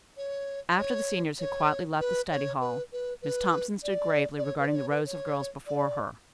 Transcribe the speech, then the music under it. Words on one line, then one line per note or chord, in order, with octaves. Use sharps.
After the seniors had quietly left the study hall, Miss Thompson stood gravely regarding the rows of girls before her.
C#5
C#5
C#5
B4
C#5
B4
B4
B4
D5
D5
C#5
B4
D5
C#5
B4
C#5
D5